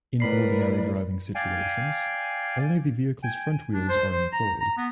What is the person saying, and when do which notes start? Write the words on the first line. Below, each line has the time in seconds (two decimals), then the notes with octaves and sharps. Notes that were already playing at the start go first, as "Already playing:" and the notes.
In ordinary driving situations, only the vehicle's front wheels are employed.
0.20 A2 A#4 B4 D5 B5 C7
1.35 D5 F5 G5 G#5
3.23 G5 G#5
3.74 D4
3.89 C5
4.12 C5
4.33 A#5
4.61 A#5
4.77 B3